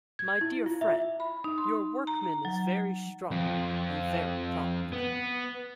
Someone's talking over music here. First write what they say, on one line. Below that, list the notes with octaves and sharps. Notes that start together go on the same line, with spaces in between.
My dear friend, your workman is very strong — and very prompt.
G#6
E4
F4
E5
B5
D#4
C6
A#5
F#3
F2
B3